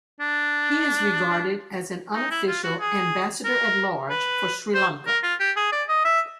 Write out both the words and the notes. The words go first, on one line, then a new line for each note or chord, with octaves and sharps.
He is regarded as an unofficial "Ambassador-at-Large for Sri Lanka".
D4
D#4
E4
F4
F#4
G#4
A#4
B4
C5
A#4
F4
G4
G#4
D5
D#5
E5